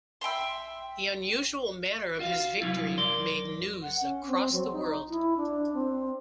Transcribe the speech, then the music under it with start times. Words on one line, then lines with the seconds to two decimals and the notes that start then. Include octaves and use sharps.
The unusual manner of his victory made news across the world.
0.21 E5 G5 B5 C6
2.19 F4 F#4 E5 F5
2.60 C2 F#3 E4 F4 F5
2.98 F#2 A#4 D5 C6
3.82 F#5
4.01 C#4
4.27 C4
4.52 F#3
4.72 D#4
5.09 E4
5.37 D4
5.74 C4